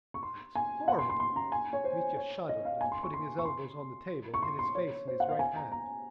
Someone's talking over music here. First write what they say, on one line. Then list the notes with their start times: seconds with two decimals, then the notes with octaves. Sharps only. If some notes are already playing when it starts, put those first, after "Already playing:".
"That's horrible!" Mitya shuddered and, putting his elbows on the table, hid his face in his right hand.
0.14 C#6
0.23 C6
0.55 G#5
0.88 F#5
0.99 C6
1.10 C6
1.20 C6
1.36 A#5
1.52 G#5
1.73 C#5
1.84 C5
2.17 C#5
2.49 D#5
2.65 F5
2.81 G#5
2.92 C6
3.03 C#6
3.14 C6
3.39 C#6
3.45 C6
4.34 C#6
4.42 C6
4.59 C6
4.75 C#5
5.08 C5
5.20 F#5
5.29 F5
5.39 G#5
5.56 A#5
5.72 A#5